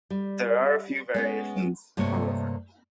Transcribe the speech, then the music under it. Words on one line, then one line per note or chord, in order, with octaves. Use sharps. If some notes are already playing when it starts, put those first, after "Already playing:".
There are a few variations, however.
G3
G#3 B3 C#4
G2 C3 A3 A#3 C#5